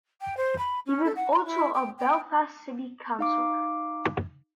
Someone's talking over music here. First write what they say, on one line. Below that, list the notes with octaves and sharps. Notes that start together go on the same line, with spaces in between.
He was also a Belfast City Councillor.
G5
C5
B5
C#4
A4
F#5
A#5
E4
G5
G5
D#4 F5 D6